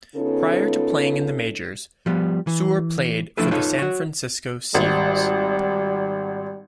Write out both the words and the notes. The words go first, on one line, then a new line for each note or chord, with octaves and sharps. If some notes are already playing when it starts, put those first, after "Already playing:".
Prior to playing in the majors, Suhr played for the San Francisco Seals.
C#3 B3 C#4 D#4 F4 A4
F3 G3 B3
E3
F3 A3 D4 E4 A4 B4
D#4 F4 A4 B4 C#5
F#4 C#5
G#1 G3